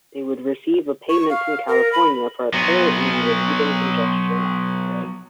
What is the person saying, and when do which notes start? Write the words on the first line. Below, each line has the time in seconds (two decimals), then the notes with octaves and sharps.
They would receive a payment from California for apparently relieving congestion on the grid.
1.09 C#6
1.30 F5
1.68 A#4
1.93 B5
2.54 F#3 B3